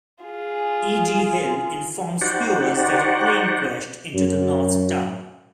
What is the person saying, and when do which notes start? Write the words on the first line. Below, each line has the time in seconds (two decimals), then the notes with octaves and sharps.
E. D. Hill informs viewers that a plane crashed into the North Tower.
0.24 F4 G#4
2.21 D#4 F#4 G4 C5 D5 F#5
4.14 F#2